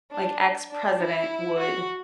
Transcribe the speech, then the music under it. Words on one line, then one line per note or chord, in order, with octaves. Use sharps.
like, ex-president would
D4
D4
E4
F#4